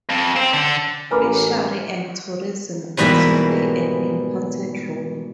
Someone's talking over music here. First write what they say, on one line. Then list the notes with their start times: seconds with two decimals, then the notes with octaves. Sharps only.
Fishery and tourism also play an important role.
0.10 F2
0.36 C4
0.54 D3
1.11 A1 A#4 B4 G#5 A#5 B5 D6 F6
2.97 G#2 B2 E3 G3 A#3 B5